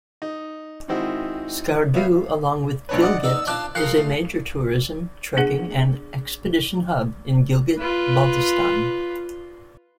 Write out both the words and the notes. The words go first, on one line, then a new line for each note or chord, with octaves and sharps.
Skardu, along with Gilgit, is a major tourism, trekking and expedition hub in Gilgit-Baltistan.
D#4
D#3 G#3 C4 D#4 E4 F#4
B3 C#5 E5 F5
A#1 D4 B4 C#5
D5 D#5 F#5
B3 D#4 E6
D4 F4 C5 A5 D6 F#6
F4 G#4 A#4 C5 F#6 C7 C#7
A3
B3 D4 G#4 F#5
F4 B4